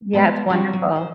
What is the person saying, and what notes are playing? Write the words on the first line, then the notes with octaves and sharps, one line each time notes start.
Yeah, it's wonderful.
G#3 B3 A5
G3 C4 F#4
F#3
C5